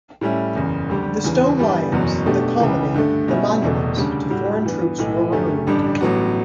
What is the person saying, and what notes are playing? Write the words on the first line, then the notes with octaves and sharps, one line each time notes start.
The stone lions, the columnade, the monuments to foreign troops were removed.
A2 G3 C#4 E4
F#1 E2 C#3
D2 D3 G3 D4 G4
E2 C#3 E3
G2 E3 G3 B3
F#1 E2 B2 F#3
B2 A3 D4 G4
C#2 C#3 E3
G2 D3 A3
B2 G3 C#4 E4
E1 E2 B2 A3
D2 C#3 G3 D4
A2 G3 D4 F#4
G2 E3 B3
B1 A2 E3
F#2 D3 A3 C#4 G4
A1 G2 D3 G3 D4
A1 A2 F#3 B3 F#4